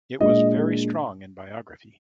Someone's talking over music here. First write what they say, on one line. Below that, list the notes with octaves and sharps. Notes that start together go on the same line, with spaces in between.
It was very strong in biography.
A#2 G#3 D4 D#5